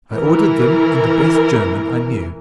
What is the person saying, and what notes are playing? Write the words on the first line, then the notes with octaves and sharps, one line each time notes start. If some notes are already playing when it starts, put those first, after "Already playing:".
I ordered them in the best German I knew.
E3 A#4